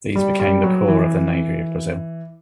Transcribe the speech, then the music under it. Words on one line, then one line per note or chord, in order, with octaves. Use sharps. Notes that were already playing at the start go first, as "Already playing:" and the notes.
These became the core of the Navy of Brazil.
G3
G3
F#3
E3